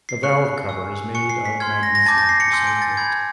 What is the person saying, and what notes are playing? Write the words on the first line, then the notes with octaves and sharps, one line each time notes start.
The valve cover is made of magnesium to save weight.
C7
C#6 F#6 C#7
G#5 C#6 E6
G#5 C#6 F#6 C#7
C7
B6
C6 F6 G#6
A#6
A#6
A5 D6 G6 A6
A#6
C7
C#7
G#5 C6 E6 G6 C#7
D7
A6
B5 E6 G6 G#6